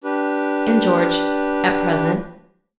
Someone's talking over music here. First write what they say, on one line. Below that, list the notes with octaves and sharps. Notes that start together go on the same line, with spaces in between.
"And George,--at present."
D4 G4 B4